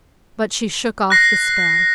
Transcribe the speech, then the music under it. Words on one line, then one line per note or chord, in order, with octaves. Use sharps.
But she shook off the spell.
F#6 A#6 C7